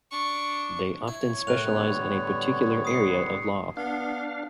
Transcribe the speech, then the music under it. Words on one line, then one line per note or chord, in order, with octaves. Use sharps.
They often specialise in a particular area of law.
D4 C#6
E4 C#5
A2 B3 A#4 F#6 F7
D3 G3 B3
D#6 C7 C#7
B3 D4 F5